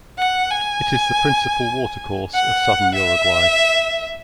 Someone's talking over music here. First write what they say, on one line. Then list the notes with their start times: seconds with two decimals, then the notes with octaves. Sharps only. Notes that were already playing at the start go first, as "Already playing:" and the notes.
It is the principal watercourse of southern Uruguay.
0.19 F#5
0.50 G#5
2.34 F#5
2.95 E5